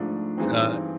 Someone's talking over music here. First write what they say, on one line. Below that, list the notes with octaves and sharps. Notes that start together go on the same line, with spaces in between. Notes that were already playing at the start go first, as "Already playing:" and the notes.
It's odd.
Already playing: G#2 F3 A3 D4
G2 E3 G#3 C4 D#4